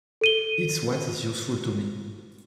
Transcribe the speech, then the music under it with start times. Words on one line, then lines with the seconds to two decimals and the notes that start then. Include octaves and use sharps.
It's what is useful to me.
0.21 A4 D#7 G7